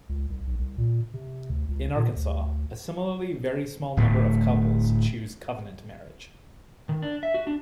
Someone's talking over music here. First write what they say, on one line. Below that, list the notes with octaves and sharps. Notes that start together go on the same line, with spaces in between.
In Arkansas, a similarly very small number of couples choose covenant marriage.
C#2
C2
B1
C2
A#2
C3
D2
C#2
A#2
D2
D1 A2 A3
D#3
D4
E5
F#4
D4